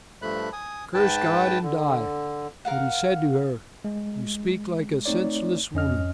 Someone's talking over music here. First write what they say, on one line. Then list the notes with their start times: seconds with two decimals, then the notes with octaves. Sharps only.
Curse God and die." But he said to her, "You speak like a senseless woman.
0.22 G2 F3 A3 B5 F#6
0.53 G#5 D#6
0.94 G#2 B4 G5 A5
1.62 D3
2.65 A#4 F5 F#5
3.84 G#3
5.06 A3 C4 D#4 C#5 D5
5.74 F2 C#4 D#5 F6